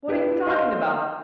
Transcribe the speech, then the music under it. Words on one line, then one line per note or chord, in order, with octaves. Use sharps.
What are you talking about?
D4 G4 B4
D#5 F5 C6 F6 G6